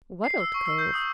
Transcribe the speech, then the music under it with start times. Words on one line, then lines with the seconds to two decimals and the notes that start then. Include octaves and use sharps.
"What old cove?"
0.24 C7
0.40 E6
0.54 C#6
0.66 E6
0.78 G6
0.94 D#6